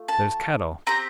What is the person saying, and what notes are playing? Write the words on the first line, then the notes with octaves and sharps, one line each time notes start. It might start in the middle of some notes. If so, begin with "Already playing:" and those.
'There's cattle!
Already playing: A3 F4
A5
C4 G4 A#5